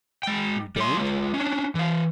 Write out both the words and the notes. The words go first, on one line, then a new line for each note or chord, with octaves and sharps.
"You don't?"
G#3 G5
G3 C6
G#3 F4
C#4 D4
E3 F5